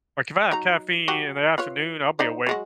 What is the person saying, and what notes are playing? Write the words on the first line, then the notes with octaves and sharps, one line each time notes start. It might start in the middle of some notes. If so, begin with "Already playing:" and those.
like, if I have caffeine in the afternoon, I'll be awake,
F#3 D#4 A#5
F#3 F#4 G4
F4 B4 C#5
D#4 C5 D5
F#3 G#3 F#4